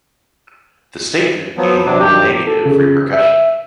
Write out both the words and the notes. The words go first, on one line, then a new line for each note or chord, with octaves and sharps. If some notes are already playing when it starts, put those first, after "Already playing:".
The statement gained negative repercussion.
F3 F#3 B3
C3 F#3 D4
G2 D#3 F#3 G4
A4
C#3
E5